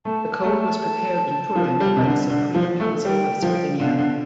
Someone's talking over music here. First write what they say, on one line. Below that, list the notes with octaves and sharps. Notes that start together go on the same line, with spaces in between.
The code was prepared in Turin by the Supreme Council of Sardinia.
A3 A5
A3
F3
G3
C3
D3
D3
F3
A3
G3 G5
F3
D3 F5
D3